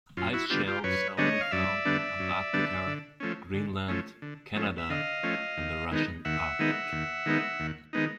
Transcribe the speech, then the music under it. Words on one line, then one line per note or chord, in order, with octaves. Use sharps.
Ice shelves are only found in Antarctica, Greenland, Canada and the Russian Arctic.
F#2 F4
E4 F#4
D3 G3 B3 D4 F4 G4
F4 G4
F#2 B4 C#5
D3 G3 B3 D4 C#5 D#5
F5
F#2 D5 E5
D3 G3 B3 D4
F#2
D3 G3 B3 D4
D3
F3 A3 C#4
D3
F3 A3 C#4
D3
F3 A3 C#4
E5
D3 D#5 F5
F3 A3 C#4
D#2
D#3 G#3 B3 D#4
D#2 E5 F#5
D#3 G#3 B3 D#4
D#2
D#3 G#3 B3 D#4
D#2
D#3 G#3 B3 D#4